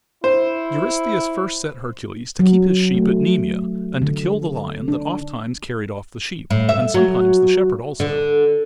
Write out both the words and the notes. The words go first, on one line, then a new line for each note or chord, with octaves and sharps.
Eurystheus first set Hercules to keep his sheep at Nemea and to kill the lion that ofttimes carried off the sheep, and sometimes the shepherd also.
E4 C5
F#3
A3
D3
D4
A2
E5
F#3
D3